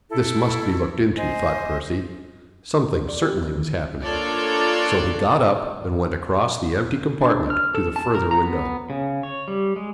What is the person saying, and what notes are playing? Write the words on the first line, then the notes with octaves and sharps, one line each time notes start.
This must be looked into, thought Percy: something certainly was happening; so he got up and went across the empty compartment to the further window.
E4 A4
C5 D#5 G#5
E2
D5
G4
E4
D#3
A#3 D4 F4 A4 C#5 D5
D4
F6
A4
A5
A#4
A#5
B3
C#3
C#5
G3
G#3